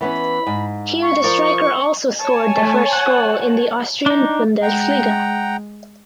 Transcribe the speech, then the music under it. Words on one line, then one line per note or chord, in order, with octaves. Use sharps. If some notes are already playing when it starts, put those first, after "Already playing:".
Here the striker also scored the first goal in the Austrian Bundesliga.
E3 B3 C#4 B5
G#2
C#6
F3 A#4 D5
C#5 G#5 A5
A3
F#5
D4 D#4
G#3 F#5 G5 A#5